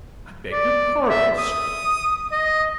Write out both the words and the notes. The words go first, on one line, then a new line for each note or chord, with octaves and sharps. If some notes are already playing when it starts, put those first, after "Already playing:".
I beg your pardon, Sir.
D5
E5
D#6
D#5